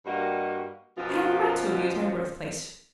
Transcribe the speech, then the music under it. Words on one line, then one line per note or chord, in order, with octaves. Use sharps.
I have a right to abuse my birth-place.
G2 G3 A#3 F#4 D#5
F#2 B2 F3 F4